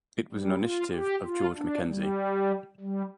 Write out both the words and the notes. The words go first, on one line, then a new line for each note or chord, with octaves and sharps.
It was an initiative of George Mackenzie.
G3
F4
G4
F4
D4
G3
G3